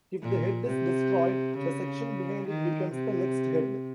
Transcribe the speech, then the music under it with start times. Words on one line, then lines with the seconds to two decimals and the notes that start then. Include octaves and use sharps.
If the head is destroyed, the section behind it becomes the next head.
0.22 A#2
0.67 C3
1.57 C#3
2.48 D#3
2.93 C3